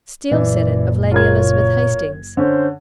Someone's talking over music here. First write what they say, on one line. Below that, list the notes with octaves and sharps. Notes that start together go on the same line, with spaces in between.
'Steele said it of Lady Elizabeth Hastings.'
F#1 A#2 E3 D5
F4 A#4 C#5 G#6
D3 C#4 C5